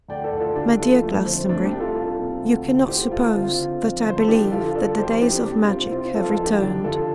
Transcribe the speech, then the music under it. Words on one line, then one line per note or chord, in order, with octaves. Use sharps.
'My dear Glastonbury, you cannot suppose that I believe that the days of magic have returned.
D2 D5 G5
A4 D5
D2
F4 A4
D3 D4 G4
F2 F4 A4
F2 A3
D3 C4
C2 A3 D4
D4 G4
C2
F4 A4
C2
C3
D2
D3
D2 G4 C5
D2 F4 A4
D3 C4 F4
D3
F2
D3 C5
A4
F2 D4 G4
D3 F4 A4
D3 A4 D5
F2 G4 C5
C2 D4 G4
C3 D4 G4
C2 C4 F4
C3 C4 F4
F2 F4 A4
F4 A4
F2
D4 G4
D3 D4 G4
D3 F4 A4